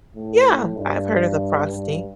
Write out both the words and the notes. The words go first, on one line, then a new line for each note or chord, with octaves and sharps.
Yeah, I've heard of the frosty.
A2
G2
G2